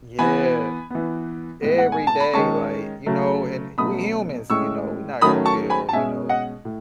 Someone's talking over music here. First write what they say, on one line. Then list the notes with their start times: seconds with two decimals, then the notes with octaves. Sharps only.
Yeah, e e every day, like, you know, and we humans, you know, we not gonna feel, you know
0.19 E3 B3 G#5 B5
0.90 E3 B3
1.62 A2 G#3 B3
1.78 F#5
1.92 G#5
2.07 A5
2.20 B5
2.34 D#3 G#3 C#4 A5 C#6
3.06 C#3 F#3 A3
3.78 B2 F#3 A3 C#4 B5 D#6
4.50 A2 G#3 C#4 C#6 E6
5.21 D#3 F#3 A3 C#4 B5 D#6
5.45 A5 C#6
5.70 G#5 B5
5.89 A5
5.93 B2 G#3 C#4 E5 G#5
6.29 D#5 F#5
6.65 A2